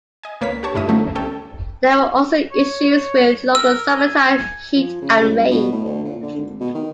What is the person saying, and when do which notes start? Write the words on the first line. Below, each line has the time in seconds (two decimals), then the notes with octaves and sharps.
There were also issues with local summertime heat and rain.
0.23 D#5 G#5
0.41 C#2 A#3 B4 C#5 B6
0.63 D4 G4 C#5 A5 C#6
0.74 D2 G2 E4 F4 E5 D#6
0.87 D3 F3 F#3 A3 C#4 D#4
1.15 C2 C3 C#4 A4 G5
2.51 C#5
3.55 A#4 E6
3.90 G#5
4.76 F3
5.02 C#3
5.20 C#2
5.38 G2
5.51 B2
5.72 A2
5.85 D2
6.05 A#2
6.22 D3
6.37 G#1
6.61 B2
6.74 D#3